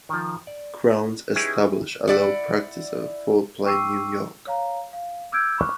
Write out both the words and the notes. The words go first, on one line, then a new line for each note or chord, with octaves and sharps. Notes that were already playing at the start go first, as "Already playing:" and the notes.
Crounse established a law practice at Fort Plain, New York.
D#3 F3
D5
C#4 D#4 E4 G4 G#4 B4
E4 D5 F#5
G5 C#6 D6 E6 C7 D#7
C#5 F5 A#5
F5
D6 E6 F6 G6 G#6 D7
B5 C#6 D6 F6 F#6